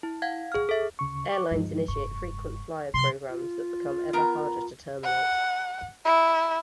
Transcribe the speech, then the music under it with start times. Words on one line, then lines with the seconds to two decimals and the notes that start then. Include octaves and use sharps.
Airlines initiate frequent-flyer programs that become ever harder to terminate.
0.03 E4
0.22 F5 F#5 G#6
0.52 G#4 F6
0.69 A4 E5
0.99 D2 C#3 C#6
1.29 C#6 D6
1.51 G2 D3 F3 G#3 D#4
1.88 F1 G2 C#6
2.94 C3 F3 C6
3.29 F4
4.13 B3 A#4 A#5
5.04 F#5
6.05 E4